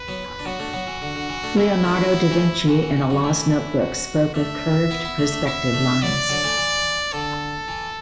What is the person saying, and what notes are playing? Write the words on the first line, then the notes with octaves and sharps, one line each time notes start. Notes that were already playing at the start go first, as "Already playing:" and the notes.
Leonardo da Vinci in a lost notebook spoke of curved perspective lines.
Already playing: B4
F#3 B3
D4
F#3 B3 F#4
A3 D4
F#3 B3
E3
D3
D3
E3
A3 D4
E3 A3 E4
A3 D4
F#3 B3
E3 A3
E3 F#4
E3
E3
D3 F#3
E3 A3 E4
F#4
A3 D4 E5
B3 E4
B3 E4
A3 D4
A3 D4
B3 E4 E5
A3 D4
F#3 B3 D5
D3 F#3
E3 A3
E3
D3 A4
E3